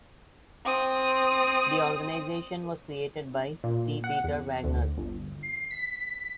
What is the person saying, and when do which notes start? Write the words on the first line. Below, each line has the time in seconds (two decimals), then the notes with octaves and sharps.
The organisation was created by C. Peter Wagner.
0.65 C4 D#6
3.64 A#2
4.04 F#5
4.24 E2
4.64 D2
4.98 G1
5.43 C7
5.71 B6